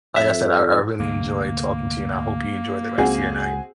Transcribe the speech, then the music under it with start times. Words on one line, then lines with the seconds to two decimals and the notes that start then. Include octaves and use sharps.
like I said, I I really enjoyed talking to you, and I hope you enjoy the rest of your night.
0.16 F2 E5
1.00 D2 G#2 C3 A#3
2.98 C#2 C4 F#4 G#4